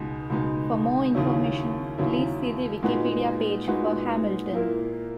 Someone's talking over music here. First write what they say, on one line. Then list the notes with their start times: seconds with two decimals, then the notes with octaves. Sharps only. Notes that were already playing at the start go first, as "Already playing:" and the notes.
For more information, please see the Wikipedia page for Hamilton.
Already playing: C#2 B2 G#3 D#4
0.30 C#2 B2 G#3 D#4
1.14 D#2 C#3 F#3 C#4 E4
1.98 D#2 C#3 F#3 C#4 E4
2.82 A#2 G#3 D#4 F#4 B4
3.67 A#2 G#3 D#4 F#4 B4
4.51 A#2 A#3 E4 A#4